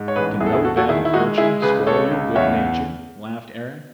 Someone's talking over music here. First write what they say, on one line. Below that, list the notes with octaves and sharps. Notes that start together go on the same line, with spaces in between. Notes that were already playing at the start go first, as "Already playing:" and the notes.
"Can no bad fortune spoil your good nature?" laughed Eric.
Already playing: G#2
C#5
A1 G#4 B4
E2 E4 G#4
A4
E4 G#4
E2 F#4 A4
F#4 A4
D#3 E4 G#4
E4
G#3 D#4 F#4
G#3 E4 G#4
C#2 G#4 B4
C#2 A4 C#5
C#2
E2 C#5 E5